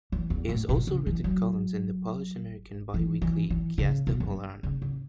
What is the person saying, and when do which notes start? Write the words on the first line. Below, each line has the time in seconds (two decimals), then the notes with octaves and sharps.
He has also written columns in the Polish-American biweekly, "Gwiazda Polarna".
0.12 E3
0.30 E2
0.49 A2
0.69 B2
0.87 C#3
1.06 E3
1.24 F#3
2.94 E3
3.22 E3
3.50 E3
3.78 C#3
4.07 B2
4.20 F#2
4.63 C#3
4.82 C#3